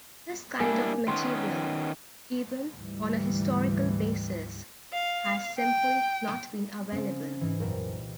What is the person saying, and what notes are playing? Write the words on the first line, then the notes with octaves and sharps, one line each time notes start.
This kind of material, even on a historical basis, has simply not been available.
G3 A#3 D4 E4 G#5
D#3 B3 C#4 C6
D2 G#2 E3 G3
F5
G5
C#3 C4 C#4 D7
G#2 E3
C2 F#2 A#2 C4 A#4